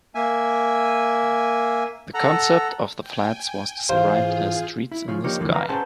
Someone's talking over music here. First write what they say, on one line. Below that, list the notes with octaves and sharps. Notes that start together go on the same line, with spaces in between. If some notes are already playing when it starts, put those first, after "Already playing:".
The concept of the flats was described as streets in the sky.
A#3 E5 G#5
A4 F#5 A#5
G5 G#5
G#2 E3 C4 F4 G#4 C5 F5
E4
C#3 F3 F4 C#5
F3 A#3 D4 D#4 G4 C#5
D2 G2 D3 E3 F3 A#3
B4 D5 E5 F5 A5 A#5
C#4 G#4 B4 C5 F#5 A5